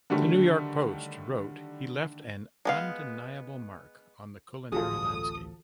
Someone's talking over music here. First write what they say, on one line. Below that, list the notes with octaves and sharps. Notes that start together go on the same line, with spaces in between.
The "New York Post" wrote he left an undeniable mark on the culinary landscape.
D3 D#3 F#3 G3 A3
G#3 B3 F5
D1 A1 F3 F4 F#4 G#4 A4 D#6